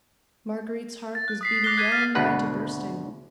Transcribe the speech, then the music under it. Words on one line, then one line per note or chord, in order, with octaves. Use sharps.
Marguerite's heart was beating well-nigh to bursting.
A6
F#6
D#6 B6 C7
D6 F#6 A#6 C7 G7
F#6 G#6 A6 B6 D#7
F6 A6 A#6
G#1 D2 B2 B4 F#5